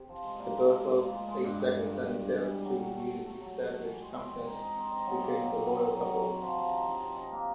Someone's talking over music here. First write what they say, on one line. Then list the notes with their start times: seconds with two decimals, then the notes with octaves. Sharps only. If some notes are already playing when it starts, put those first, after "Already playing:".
The birth of a second son failed to re-establish confidence between the royal couple.
Already playing: C3
0.09 F3
0.24 G#3
0.39 A#2
0.54 G#3
0.69 G#3
0.83 G#3
1.00 A#2
1.14 G#3
1.29 G#3
1.44 G2
1.60 G2
1.75 G2
1.89 G2
2.05 G2
2.20 G2
2.35 E3
2.50 G3
2.65 F#3
2.80 F#3
2.95 A3
3.11 A3
3.26 A3
3.41 F#3
3.56 F#3
3.71 A3
3.86 E3
4.01 G#3
4.15 C4
4.31 E3
4.47 D#4
4.61 D#4
4.76 C4
4.91 D#4
5.06 F#3
5.21 A#3
5.37 F#3
5.52 F#3
5.67 F#3
5.81 F#3
5.96 F#3
6.12 F#3
6.27 C3
6.41 F3
6.58 F3
6.73 D#4
6.87 F3
7.03 C3
7.17 D#4
7.32 A#3